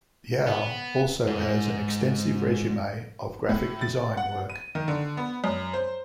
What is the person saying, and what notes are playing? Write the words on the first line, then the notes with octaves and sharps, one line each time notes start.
Yow also has an extensive resume of graphic design work.
B3
G#2
A2
A6
F#5
D#7
D#3
D3
B3
F#2
C5